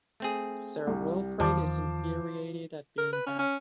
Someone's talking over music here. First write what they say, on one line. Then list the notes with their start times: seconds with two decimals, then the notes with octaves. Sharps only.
Sir Wilfrid is infuriated at being had.
0.20 A3 C4 G#4
0.87 C2 G3
1.40 E2 D#3 F3 C5 A5 D6
2.98 A#4
3.12 B4
3.26 C#4
3.39 C#4